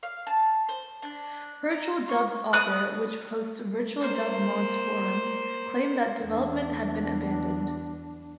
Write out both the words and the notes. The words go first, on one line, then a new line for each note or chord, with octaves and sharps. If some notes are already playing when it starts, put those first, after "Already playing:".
VirtualDub's author, which hosts VirtualDubMod's forums, claimed that development had been abandoned.
F5
A5
C5
D4
A#5
C#6
D#6 F#6
A#3 C5
E2 D4